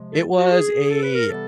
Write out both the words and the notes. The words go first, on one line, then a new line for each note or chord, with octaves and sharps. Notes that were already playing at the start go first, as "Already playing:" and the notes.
it was a
Already playing: C3 F3 G#3
A4
F#4
G#4
A4
B4
A#4
C3 E3 G3 B3 A4